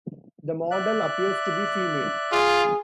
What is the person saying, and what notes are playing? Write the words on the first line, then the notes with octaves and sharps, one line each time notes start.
The model appears to be female.
D5 E5 F#6
F4 G#4